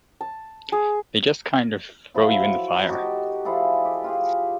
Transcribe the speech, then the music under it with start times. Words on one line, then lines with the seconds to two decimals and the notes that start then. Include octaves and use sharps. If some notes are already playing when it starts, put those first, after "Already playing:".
They just kind of throw you in the fire.
0.21 A5
0.72 G#4
2.14 F3 F#3 E4 A4
2.89 D#4 F#4 G4 A5
3.45 F3 E4 G#4 A4
3.85 G4
4.04 F4 G4 G#4